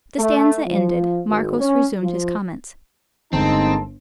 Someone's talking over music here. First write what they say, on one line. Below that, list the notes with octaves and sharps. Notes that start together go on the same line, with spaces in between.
The stanza ended, Marcos resumed his comments.
A3
F3
G#1
C#4
F3
G1 G#3 A#3 C4 D#4 A5